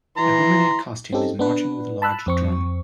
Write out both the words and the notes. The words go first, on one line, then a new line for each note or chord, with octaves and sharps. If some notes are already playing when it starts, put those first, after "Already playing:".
A woman in costume is marching with a large drum.
E3 A#5 C6
C4 C#4 D#4 G4 A4
B3 D4 B4
A5 B5 E6 F#6
F2 C4 C#6